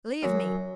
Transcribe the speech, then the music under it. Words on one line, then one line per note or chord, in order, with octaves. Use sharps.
Leave me!
F#2